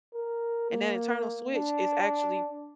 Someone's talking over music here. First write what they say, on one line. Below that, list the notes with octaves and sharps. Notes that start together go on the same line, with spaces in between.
and that internal switch is actually
A#4
A#3
D4